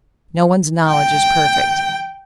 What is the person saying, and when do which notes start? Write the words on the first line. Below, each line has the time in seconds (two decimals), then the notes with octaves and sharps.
No one's knowledge is perfect.
0.88 G5